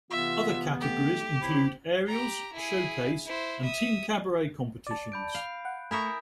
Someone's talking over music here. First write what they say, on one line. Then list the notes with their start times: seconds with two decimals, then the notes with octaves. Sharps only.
Other categories include Aerials, Showcase, and Team Cabaret competitions.
0.11 C3 E3 B3 F4 E5
0.81 A3 G4
1.40 F#3 C4 E4
2.07 G4 A#5
2.53 E4 G#4
3.26 E4 C5
3.63 E5 D#6
4.87 D5 A5
5.12 B5 G6 D7
5.34 F5
5.65 F#5
5.91 A3 E4 A#4 E5 G#5 C#6 D#6 G6